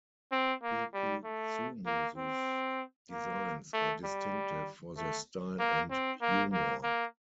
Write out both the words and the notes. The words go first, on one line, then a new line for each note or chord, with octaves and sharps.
Kukuxumusu's designs are distinctive for their style and humour.
C4
A#3
G3
A3
A#3
C4
A#3
A3
G3
A3
A#3
C4
A#3
A#3
A#3